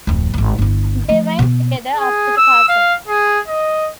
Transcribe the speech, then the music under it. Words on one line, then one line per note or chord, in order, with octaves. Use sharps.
They went together up to the Castle.
D1 F2
D#1 G#1
G1 E4
F3 A3
B2 B3
G#4
E6
F5
G#4
D#5